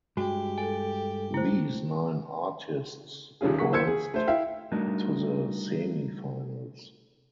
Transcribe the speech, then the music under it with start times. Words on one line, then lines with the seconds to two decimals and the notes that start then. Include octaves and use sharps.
These nine artists advanced to the Semifinals.
0.17 G2 G#3 F#4 G4
0.58 A4 G#5
1.34 A3 E4 C5
3.41 D#1 D#3 G3 C#4 F4 G#4
3.59 F#3 A#3 G#4 F#5 C#6 B6
3.71 E3 A#3 C5 E6 G#6 C#7
3.87 G#4
4.14 A3 C5
4.27 E4 E5 F5 G5
4.72 G3 A3 D4 D#4 F#4 A#4